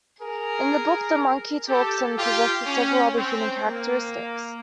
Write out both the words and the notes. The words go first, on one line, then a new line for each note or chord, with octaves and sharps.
In the book, the monkey talks and possesses several other human characteristics.
G#4 A#4
G4 A4
F4 G4
C#4
C4
A#3